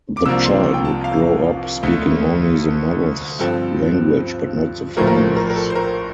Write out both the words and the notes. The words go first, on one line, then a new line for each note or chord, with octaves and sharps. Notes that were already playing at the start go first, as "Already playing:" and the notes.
The child would grow up speaking only the mother's language, but not the father's.
D6
C2 C3 F3 A#3 D4 E6
C6
G5
A5
F5
D2 D3 A3
G2 F3 C4 A4
A#1 A2 F3 A3 A#4
A#4
A4
A#4
A#4
A4
C5
A#4